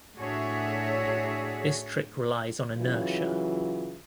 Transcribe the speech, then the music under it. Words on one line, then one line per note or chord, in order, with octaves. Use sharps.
This trick relies on inertia.
A2 D4 F#4 G#4 C#5 E5
C#3 E3 F#3 F4